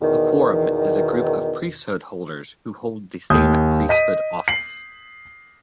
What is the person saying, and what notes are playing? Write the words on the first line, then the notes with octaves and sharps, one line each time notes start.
A quorum is a group of priesthood holders who hold the same priesthood office.
E2 B2 D#3
D#2 D#6 G6
D#5 B6 D#7
C7 F#7